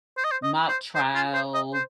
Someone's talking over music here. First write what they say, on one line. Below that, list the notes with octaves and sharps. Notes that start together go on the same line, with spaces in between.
mock trial,
C5
D#5
C5
D#5
C5
C5
F4
C5
D#5
C5